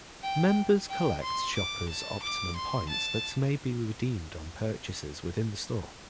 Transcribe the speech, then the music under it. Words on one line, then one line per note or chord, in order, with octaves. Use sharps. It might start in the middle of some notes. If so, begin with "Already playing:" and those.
Members collect Shoppers Optimum points that may be redeemed on purchases within the store.
G5
G5
C6
D6
A5
D6
C6
A5